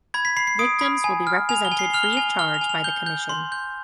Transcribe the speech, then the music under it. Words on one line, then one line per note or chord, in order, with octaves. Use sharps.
Victims will be represented free of charge by the commission.
B5 G#6
B6
B5 C7
C7
D#6 D7
B5
G#5
F6
G#5 F7
G7
G#5
C7
F6 F7
G7
G#5 F7
F6 G7
F7
G#5
F7
G6 G7
G6
C6
G6